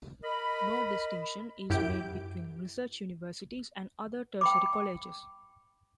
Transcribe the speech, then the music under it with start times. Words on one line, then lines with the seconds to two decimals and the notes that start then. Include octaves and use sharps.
No distinction is made between research universities and other tertiary colleges.
0.23 A#4 D#5 B5
1.70 F#2 E4 G4 G6 D7
4.41 G5 B5 D6